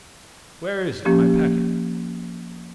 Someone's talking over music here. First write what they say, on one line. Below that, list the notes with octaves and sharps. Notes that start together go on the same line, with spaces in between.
"Where is it, my packet?"
F3 A#3 C#4 G4